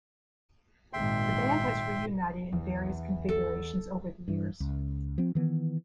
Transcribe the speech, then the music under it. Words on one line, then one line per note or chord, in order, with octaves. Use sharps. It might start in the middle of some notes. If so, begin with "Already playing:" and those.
The band has reunited in various configurations over the years.
G#1 A#2 E5 G5 C6
E2
A4
G2 E3
C#2
F3 C4
D#3 E3 B3